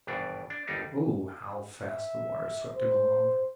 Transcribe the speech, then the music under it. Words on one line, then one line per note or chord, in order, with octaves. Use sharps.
Oh, how fast the water swept him along!
G#1 G2 B2 E3 D4
D4
G1 D#2 G3 D4 D#4
E5
C5